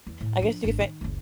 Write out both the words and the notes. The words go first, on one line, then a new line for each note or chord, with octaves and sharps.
I guess you could say
E2
A2
F3 D4
G#1 D4
D#3
F#1 C#2